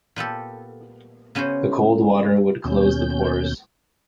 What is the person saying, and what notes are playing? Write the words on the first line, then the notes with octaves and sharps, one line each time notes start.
The cold water would close the pores.
A#2 B3 G4 A4
C#3 B3 C#4 F#4 C5
D#2 B2 C#4 G6